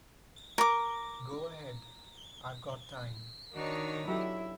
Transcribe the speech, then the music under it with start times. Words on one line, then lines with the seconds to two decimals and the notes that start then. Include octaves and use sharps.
Go ahead, I've got time.
0.58 A#4 D6
3.55 D#3 D4 D#4 F#4 C#5
4.08 F#3 E4 G4 A4 E5